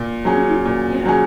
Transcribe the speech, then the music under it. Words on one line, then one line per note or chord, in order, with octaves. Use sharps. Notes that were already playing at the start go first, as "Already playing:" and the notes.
Mhm. Yeah.
Already playing: A#2
F#3 C#4 G#4
A#2
F#3 C#4 G#4